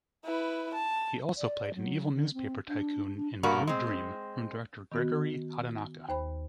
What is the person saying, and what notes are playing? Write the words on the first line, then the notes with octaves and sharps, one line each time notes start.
He also played an evil newspaper tycoon in "Blue Dream" from director Gregory Hatanaka.
E4 B4
A5
D5
F#3
D3
C4
D4
D4
G2 G3 A#3 F#4
G#3 C4
D#3 B3 F#4
D#2 C5 B5